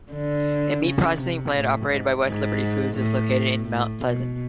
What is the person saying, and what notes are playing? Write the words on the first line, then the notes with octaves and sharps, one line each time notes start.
A meat processing plant operated by West Liberty Foods is located in Mount Pleasant.
D3
C#3
C3
A2
G#2
G#2
A2
A2
B2